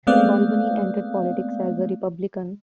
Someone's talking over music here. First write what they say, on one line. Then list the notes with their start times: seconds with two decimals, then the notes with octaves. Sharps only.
Balboni entered politics as a Republican.
0.07 G#3 A3 B3 C4 D5 F5